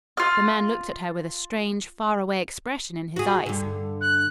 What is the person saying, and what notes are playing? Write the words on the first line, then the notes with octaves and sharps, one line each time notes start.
The man looked at her with a strange, far-away expression in his eyes.
F4 F6
F#4 G#4
G2 D3
F#6